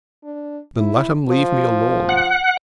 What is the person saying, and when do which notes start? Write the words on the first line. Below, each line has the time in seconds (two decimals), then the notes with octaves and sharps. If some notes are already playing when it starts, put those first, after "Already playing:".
'Then let him leave me alone.
0.24 D4
0.77 E4
1.29 F3
2.09 F#5